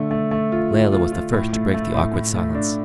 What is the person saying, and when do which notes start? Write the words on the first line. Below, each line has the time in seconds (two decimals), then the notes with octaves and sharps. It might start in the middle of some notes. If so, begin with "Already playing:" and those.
Layelah was the first to break the awkward silence.
Already playing: D3 A3
0.11 A3
0.31 A3
0.52 F4
0.73 F4
0.92 F4
1.12 F4
1.33 A2
1.53 A3
1.74 A3
1.94 A2
2.14 A2
2.35 A3
2.55 D4